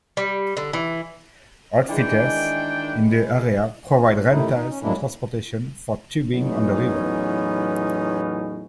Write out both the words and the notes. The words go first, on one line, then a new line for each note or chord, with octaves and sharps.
Outfitters in the area provide rentals and transportation for tubing on the river.
G3
D3
E3
D#3 E3 G#3 D4 G5
A2 C3 D#3 A3 D#4 E4
D#4
C#4
F2 F#3 G#3 A#3 D4 E4
E2 A2 F#3 B3 C#4 D#4